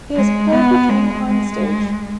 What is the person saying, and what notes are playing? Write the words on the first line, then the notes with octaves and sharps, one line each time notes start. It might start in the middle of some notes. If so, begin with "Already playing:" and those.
He has played the king on stage.
G#3
B3
G#3
G#3